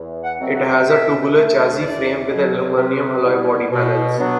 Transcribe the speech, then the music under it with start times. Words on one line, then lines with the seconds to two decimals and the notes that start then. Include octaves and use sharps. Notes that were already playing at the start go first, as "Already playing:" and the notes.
It has a tubular chassis frame with aluminium alloy body panels.
Already playing: E2
0.23 F#5
0.39 B2 F#3 A3 C4
0.56 F#5
0.87 B2 E5
1.34 A3 D4
1.81 E2 D5
2.28 B2 F#3
2.75 C3 B4
3.24 G3 B3 E4
3.71 B2
4.17 F#3 B3 D4